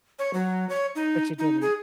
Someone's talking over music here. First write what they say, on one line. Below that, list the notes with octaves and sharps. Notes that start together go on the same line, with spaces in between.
But you didn't.
C#5
F#3
C#5
D#4
D#4
G#4